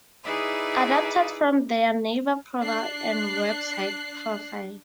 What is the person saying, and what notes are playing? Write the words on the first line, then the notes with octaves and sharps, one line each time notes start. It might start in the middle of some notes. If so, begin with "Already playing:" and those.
Adapted from their Naver profile and website profile.
D#4 E4 G#4 B4 D5 E5
D4 F#6 C7